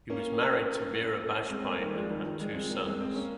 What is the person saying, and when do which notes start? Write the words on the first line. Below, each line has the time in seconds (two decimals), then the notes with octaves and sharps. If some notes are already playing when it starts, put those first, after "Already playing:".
He was married to Meera Bajpai and had two sons.
0.10 A#3 C#4
1.50 G#3 C4
1.64 G3 A#3
1.80 D#3 G3
1.95 F3 G#3
2.10 D#3 G3
2.24 D#3 G3
2.39 F3 G#3
2.54 G#3 C4
2.70 G3 A#3
2.85 G#3 C4
3.00 G#3 C4
3.15 A#3 C#4